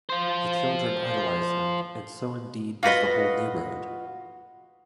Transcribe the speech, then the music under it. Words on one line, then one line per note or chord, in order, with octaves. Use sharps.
The children idolise him, and so indeed does the whole neighbourhood.
F4 C5
F4 F#4 B4 D#5